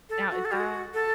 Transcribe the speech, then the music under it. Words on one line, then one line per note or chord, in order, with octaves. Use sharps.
Now, is that
A4
F#4
A4
F#4
A4